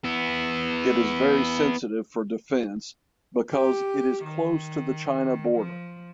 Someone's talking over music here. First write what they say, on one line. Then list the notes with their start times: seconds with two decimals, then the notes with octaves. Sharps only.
It is very sensitive for defence because it is close to the China Border.
0.04 B3 E4
3.52 G4
4.24 D#3
5.56 F3